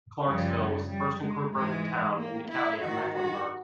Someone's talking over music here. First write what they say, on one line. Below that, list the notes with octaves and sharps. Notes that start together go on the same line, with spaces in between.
Clarksville was the first incorporated town in the county of Mecklenburg.
F#2 C#3 F3 G3
G3
G#3
G#2 E3 G#3
A#3
E4
G#2 D#3 F#4
F#4